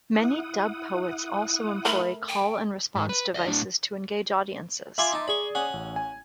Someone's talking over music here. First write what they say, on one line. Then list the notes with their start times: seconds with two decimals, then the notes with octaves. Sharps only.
Many dub poets also employ call-and-response devices to engage audiences.
0.15 E4 F#5 D#6
1.85 A3 A#4 B5
2.29 G5
2.95 G#2
3.09 B4
3.34 D5 E5
3.47 A2 D4
4.98 F4 E5 G#5 B5 C6 D6
5.13 D#4 A5
5.28 G#4 D5 B5 C#6
5.55 C#4 F#5
5.74 A1
5.96 G#5